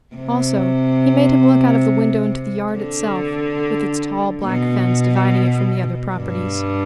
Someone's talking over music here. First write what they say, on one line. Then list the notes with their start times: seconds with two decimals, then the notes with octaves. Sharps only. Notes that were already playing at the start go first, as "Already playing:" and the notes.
Also, he made him look out of the window into the yard itself, with its tall black fence dividing it from the other properties.
0.15 C3
2.73 D3
4.44 B2
6.16 G2